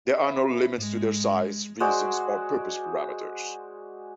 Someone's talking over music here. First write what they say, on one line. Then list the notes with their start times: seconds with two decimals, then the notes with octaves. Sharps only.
There are no limits to their size, reasons, or purpose parameters.
0.19 C5 E5 B5
0.78 G#2 G#3
1.80 G#3 F#4 C5 D5